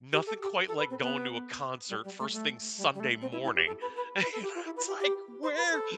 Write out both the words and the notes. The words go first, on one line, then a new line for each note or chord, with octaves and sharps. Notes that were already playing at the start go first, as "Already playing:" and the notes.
Nothing quite like going to a concert first thing Sunday morning, and you know it's like, "Where"
G4
A4
G4
A4
B4
C4
B3
G3
G3
A3
A3
G3
G3
A3
C4
E4
E4
G4
A4
B4
B4
B4
A4
G4
F4
E4
B4
G4
G4
C5
B4
A4